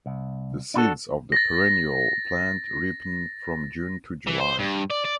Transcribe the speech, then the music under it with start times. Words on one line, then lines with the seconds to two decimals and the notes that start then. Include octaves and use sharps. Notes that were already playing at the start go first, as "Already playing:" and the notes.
The seeds of the perennial plant ripen from June to July.
0.06 C2
0.74 D4 E4 F#4 A4
1.32 A6 A#6
4.27 E3
4.41 C5
4.60 G2
4.90 D5
5.05 D5